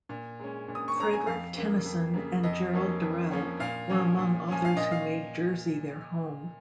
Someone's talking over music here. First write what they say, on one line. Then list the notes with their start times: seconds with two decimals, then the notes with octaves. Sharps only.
Frederick Tennyson and Gerald Durrell were among authors who made Jersey their home.
0.09 A#2
0.40 G#3 C#4
0.68 A#2
0.75 D#6
0.88 C#6
0.98 G#3 C#4 A#5
1.13 G#5
1.27 F2 F5
1.56 C#3 A#3
1.85 F2
2.14 C#3 A#3
2.43 F2 D#5
2.73 F3 A#3 C#4
3.01 F2
3.31 F3 A#3 C#4
3.60 A#2 F5
3.89 F3 C#4
4.19 A#2
4.48 F3 C#4 G#5
4.65 F5
4.77 A#2 D#5
4.92 F5